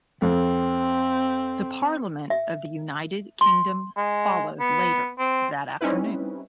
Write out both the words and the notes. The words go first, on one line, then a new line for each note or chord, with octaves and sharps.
The Parliament of the United Kingdom followed later that afternoon.
F2 C4
E5
C6
G#3
B3
C4
G3 C4 C#4 D#4 E4 B4